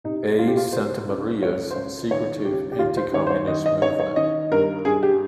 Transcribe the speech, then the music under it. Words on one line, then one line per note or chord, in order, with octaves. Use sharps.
A. Santamaria's secretive anti-communist Movement.
C3 D#4
C#2 F4
G4
F4
C3 C5
C#2
C#2 C#5
C5
C#2 C#5
D#3 C#5
C#2 G4
G4
D#2 F4
C5
D#3 C#5
C5
C#5
D#3 D#5
D#5
D#3 C#5
C#5
D#3 D#5
G2 A#4
G2 G#4
G4